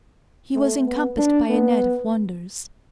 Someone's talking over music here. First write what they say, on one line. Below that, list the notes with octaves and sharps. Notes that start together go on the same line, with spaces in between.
He was encompassed by a net of wonders.
A3
B3
D4
B3